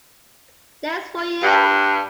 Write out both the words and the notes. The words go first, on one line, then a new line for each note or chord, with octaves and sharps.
There's for you!
G2